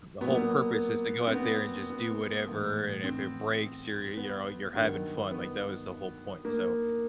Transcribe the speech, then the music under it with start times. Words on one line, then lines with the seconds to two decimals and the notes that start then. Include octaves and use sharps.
The whole purpose is to go out there and just do whatever, and if it breaks, you're you're, you know, you're having fun, like, that was the whole point, so,
0.21 A#2 F#3 B3
0.28 A#3
0.35 B3
1.27 C4
1.33 B3
1.90 B3
2.48 A2 E3
3.04 C4
4.17 B3
4.74 G2 D#3 F#3
5.31 B3
6.45 A#3